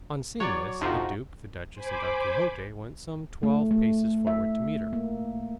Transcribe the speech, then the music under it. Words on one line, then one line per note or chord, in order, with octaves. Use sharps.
On seeing this the duke, the duchess, and Don Quixote went some twelve paces forward to meet her.
F#3 C#5 D5
F2 C3 F3 D#4 F#4
C5 G#5 B5 D6
A3
A3
E5
A#3